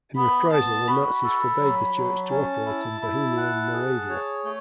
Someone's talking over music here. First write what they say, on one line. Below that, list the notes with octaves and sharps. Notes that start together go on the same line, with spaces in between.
In reprisal the Nazis forbade the church to operate in Bohemia and Moravia.
B3 B5
B3 A5
F#4 B5
A4
F#3
F#3
C#4 A5
E4
E4
F#5
G#4
C#5
A3